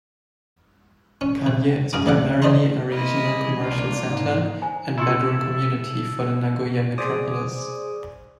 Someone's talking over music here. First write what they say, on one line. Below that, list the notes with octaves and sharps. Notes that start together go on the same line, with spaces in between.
Kanie is primarily a regional commercial center and bedroom community for the Nagoya metropolis.
C#4
C3
F#2 G#4 F5 G#5 A#5 D6
D2 D4 A4 F5 F#5 D6
C5 D5 D#5 A5 A#5 C6
A#3 E4 F4 D#5
G3 G#4
C2 A#3 D4 F4
G#2
C5 G#5 A#5
E4 F4 A4 C6 C#6
G#4 C5 D5 G#5 D6 D#6